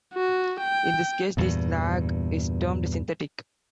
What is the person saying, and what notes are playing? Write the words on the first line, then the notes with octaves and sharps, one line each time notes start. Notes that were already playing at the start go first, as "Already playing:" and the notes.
In this case, the slag is termed "synthetic".
F#4
G5
E2 G2 A#2